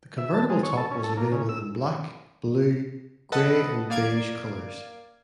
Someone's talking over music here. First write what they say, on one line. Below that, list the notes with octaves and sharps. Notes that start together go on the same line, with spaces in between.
The convertible top was available in black, blue, grey and beige colors.
E5
A5
G#3
C#5
A4
C#4
A4
A#3
C#3
E6
A4 B4 D#5 F#5 A5
A#3 D5 F5 G#6 D7